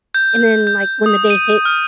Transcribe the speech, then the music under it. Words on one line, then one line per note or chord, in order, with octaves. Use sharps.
and then, like, when the day hits
G6
G6
D#6
D#7
F6